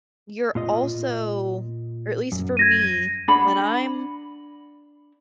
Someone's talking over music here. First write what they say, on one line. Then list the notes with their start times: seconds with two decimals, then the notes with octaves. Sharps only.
You're also or at least for me, when I'm
0.55 A#2 F4 D#5
2.32 F#2
2.57 G#6 A#6 D#7
3.28 D4 F#5 B5